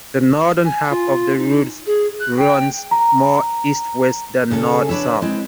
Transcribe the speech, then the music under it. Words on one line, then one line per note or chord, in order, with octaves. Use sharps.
The northern half of the route runs more east-west than north-south.
G#5
F4
D#4
G#4
F#6
G5
A#5
D2 C#3 G#4 A4
D4 B4 C#5 E5
G#3 C4 E4